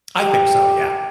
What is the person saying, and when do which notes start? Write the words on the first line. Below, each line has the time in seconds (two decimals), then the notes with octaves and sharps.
I think so, yeah.
0.20 G4